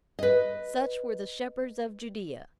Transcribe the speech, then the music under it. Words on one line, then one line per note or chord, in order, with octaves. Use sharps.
Such were the shepherds of Judea!
B4 D#5